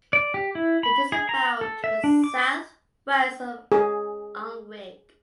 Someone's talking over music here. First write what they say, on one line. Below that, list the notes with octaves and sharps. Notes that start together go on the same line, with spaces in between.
It is about to the south-west of Alnwick.
D5
G4
E4
B5
G#4
A#5
A4
E5
D4
D6
G#4